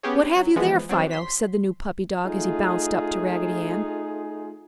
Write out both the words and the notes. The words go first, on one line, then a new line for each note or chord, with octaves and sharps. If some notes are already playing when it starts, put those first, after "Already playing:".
"What have you there, Fido?" said the new puppy dog as he bounced up to Raggedy Ann.
B3 C#4 G4 G#4 C#5
F#3
E3 F3 G#3 B3
F#3 C4 D4
C6 B6
A3 D#4 F4 G#4